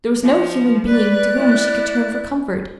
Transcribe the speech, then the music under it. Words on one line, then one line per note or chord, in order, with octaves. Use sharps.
There was no human being to whom she could turn for comfort.
F3
B4 D5 F#6
E4